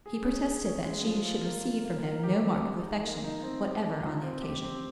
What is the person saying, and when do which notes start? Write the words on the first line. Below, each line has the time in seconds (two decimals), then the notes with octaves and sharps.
He protested that she should receive from him no mark of affection whatever on the occasion.
0.06 G#4
0.25 C#4
0.45 G#4
0.65 C#4
0.84 G#3
1.04 F3
1.25 F4
1.45 A#3
1.64 F4
1.85 A#3
2.04 A#4
2.24 G4
2.44 C4
2.64 G#3
2.83 D#4
3.03 A#3
3.24 D#4
3.43 C4
3.64 G4
3.83 D#4
4.02 F4
4.23 C4
4.42 G4
4.63 C4